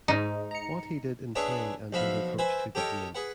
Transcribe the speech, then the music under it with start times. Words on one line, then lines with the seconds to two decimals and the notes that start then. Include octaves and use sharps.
What he did in playing and his approach to the game.
0.08 G#2 G#3 D#4
0.51 A#5 C#7
1.35 B3 D4 G#4 B4 C#5 E5
1.93 B1 F3 F#4 E5 F5 B5
2.39 B4 C5 E5 G#5
2.75 G4 A4 A#4 C#5 D#5 G5
3.15 G#4 B4 F#5